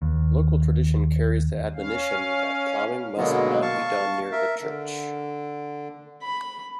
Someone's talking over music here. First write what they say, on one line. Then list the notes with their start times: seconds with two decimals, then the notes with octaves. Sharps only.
Local tradition carries the admonition that plowing must not be done near the church.
0.02 D#2
1.74 C#4 F5
3.18 B2 D3 F#3 G#3 A#3 B3
3.62 F5 A5 C#6
4.32 A#4 E5
4.61 D3
6.22 B5